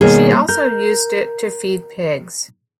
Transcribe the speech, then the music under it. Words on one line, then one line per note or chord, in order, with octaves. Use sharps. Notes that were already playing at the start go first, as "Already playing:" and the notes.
She also used it to feed pigs.
B2 D#3 G3 A#3 G#4 C#5
A#4 A#5 G6